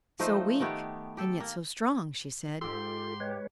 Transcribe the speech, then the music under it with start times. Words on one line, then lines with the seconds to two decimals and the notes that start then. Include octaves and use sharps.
"So weak and yet so strong," she said.
0.19 F3 A3 D#4 C5
0.60 D#3 A3 B3 G4
1.17 G4 A4
1.40 A#3
2.61 G#2 F4 G4 A4 C6
3.20 G#3 B4 C#5